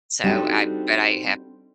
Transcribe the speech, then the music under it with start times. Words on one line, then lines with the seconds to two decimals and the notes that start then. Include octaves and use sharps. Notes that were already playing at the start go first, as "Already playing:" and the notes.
so I but I have
0.24 G3 C4 D4 D#4 F#4 A4